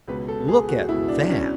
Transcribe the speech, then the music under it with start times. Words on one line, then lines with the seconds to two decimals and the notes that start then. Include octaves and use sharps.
"Look at that!"
0.08 C#2 B2 B4
0.28 A4
0.48 G#4
0.68 F#4
0.89 C#2 B2 E4
1.08 D4
1.29 C#4